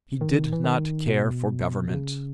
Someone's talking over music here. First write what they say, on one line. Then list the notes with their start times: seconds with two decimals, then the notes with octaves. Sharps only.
He did not care for government.
0.21 D#3
0.53 E3
0.64 D#3
1.08 B2
1.90 B2
1.94 C#3